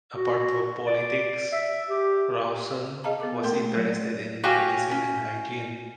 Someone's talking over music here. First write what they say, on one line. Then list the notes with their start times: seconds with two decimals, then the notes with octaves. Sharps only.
Apart from politics, Rawson was interested in medicine and hygiene.
0.16 F#4
0.87 D5
1.52 E5
1.89 G4
3.04 G#4 D#5 F5 A5 A#5
3.20 B3 A4 D6
3.44 A3 A#3 A#4 G5 C6
3.76 F#3 A3 C#5
3.87 D5
4.44 F#4 G4 C#5 F5 G5 G#5
4.91 C#4